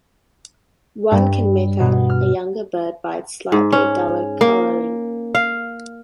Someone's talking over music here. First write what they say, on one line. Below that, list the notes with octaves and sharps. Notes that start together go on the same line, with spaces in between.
One can make out a younger bird by its slightly duller coloring.
G2
B2
F6
G#2
C#4
A#3
F5